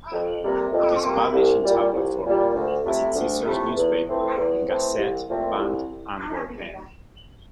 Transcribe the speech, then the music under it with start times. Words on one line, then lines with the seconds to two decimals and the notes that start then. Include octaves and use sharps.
It is published in tabloid format as its sister newspaper "Gazet van Antwerpen".
0.12 F2
0.41 C3 G3 A#3
0.72 F2
1.02 C3 G3 A#3
1.33 C2
1.63 A#2 G3
1.93 C2
2.24 A#2 G3
2.54 D2
2.84 C3 F3 A3 E4
3.15 D2
3.45 C3 F3 A3 E4
3.76 E2
4.07 E3 A3 C4
4.37 E2
4.67 E3 A3 C4
4.97 C2
5.27 A#2 F3 A3 C4
5.58 C2